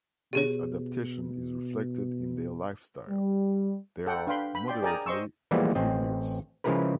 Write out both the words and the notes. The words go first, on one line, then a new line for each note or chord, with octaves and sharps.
This adaptation is reflected in their life style; they are moderately amphibious.
B2 G4 G#4 C#5
G3
A4 F#5 G5
D4 B4 F5 G5 B5 C6
B5
D5 G5 C6
G#4 A#4 D5 G5 G#5 A#5
C5 D#5 C6 C#6 E6
E3 F3 G3 G#3 A#3 B3
A1 C4 D#5
C#3 F3 G#3 E4 A#4 B4